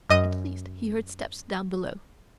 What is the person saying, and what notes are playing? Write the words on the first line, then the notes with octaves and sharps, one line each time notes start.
At last he heard steps down below.
F#2 D#5 D#6